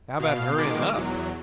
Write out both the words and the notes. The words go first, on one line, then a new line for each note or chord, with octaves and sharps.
"How 'bout hurryin' up?"
B2 F5
B2 D#3 G#3 D6
E2 F#3